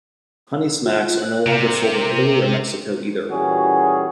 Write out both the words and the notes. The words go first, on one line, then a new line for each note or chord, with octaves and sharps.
Honey Smacks are no longer sold in Italy or Mexico either.
F4
F#6
C3 A#4
A#2 E3 G3 C#4 F#4 G#4